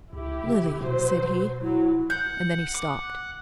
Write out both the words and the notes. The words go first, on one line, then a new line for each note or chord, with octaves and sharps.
"Lily," said he; and then he stopped.
C#2 E4 G4
C3
B2 F#3 C5
F#3 E4
F#5 G6
D6